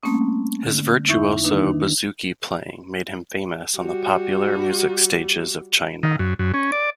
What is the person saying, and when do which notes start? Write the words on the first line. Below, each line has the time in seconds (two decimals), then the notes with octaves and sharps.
His virtuoso bouzouki-playing made him famous on the popular music stages of Chania.
0.03 G3 A3 A#3 C4 C#4 D#6
0.63 D3
1.08 F2 D#4 E4 E5 C#6 G6
1.44 D#3 A#3 D4 D#4 B4
1.66 D#3
3.77 G3 F#4
6.03 D#3
6.19 F#2
6.39 F#2
6.54 C#4
6.72 D5